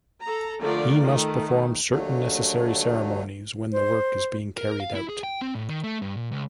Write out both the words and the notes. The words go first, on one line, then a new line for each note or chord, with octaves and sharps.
He must perform certain necessary ceremonies when the work is being carried out.
A4 A#5
D3 F3 A3 F4 A#4 D5
D#3 A3
D#2 D3 F#3 A3
C5
A#4
F5
E4
G#4
G5
C4
A2
D#3
A3
G2
A#2
C#2